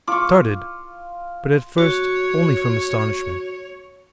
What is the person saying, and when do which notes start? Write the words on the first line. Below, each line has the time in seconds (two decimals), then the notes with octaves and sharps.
He started, but at first only from astonishment.
0.08 F4 C#6 D6
1.78 F#4 C#5